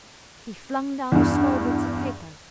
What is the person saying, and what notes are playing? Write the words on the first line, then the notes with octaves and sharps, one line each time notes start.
He flung down the small bits of paper.
E2 G2